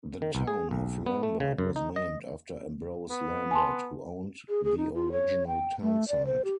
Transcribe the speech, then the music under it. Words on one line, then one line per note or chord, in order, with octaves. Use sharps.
The town of Lambert was named after Ambrose Lambert, who owned the original townsite.
D#3
C2
G#4
B1
B3
A3
C#3
F#2
D#4
D#5
B3
G#5 A5 C6
G#4
G#4
D#4
F4
C#5
G5
A3
D5
C5
G4